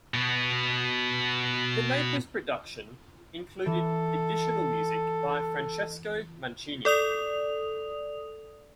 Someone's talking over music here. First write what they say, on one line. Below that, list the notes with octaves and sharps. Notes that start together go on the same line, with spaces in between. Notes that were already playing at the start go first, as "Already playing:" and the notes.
The Naples production included additional music by Francesco Mancini.
B2 B3
E3 A4 E7
A4 D5 D#6 F7